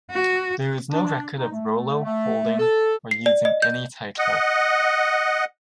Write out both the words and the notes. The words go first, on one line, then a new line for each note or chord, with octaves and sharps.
There is no record of Rollo holding or using any title.
F#4
D4
D#4
A3
A3
A4
C7
D5
D#5
G6
D#5 F#5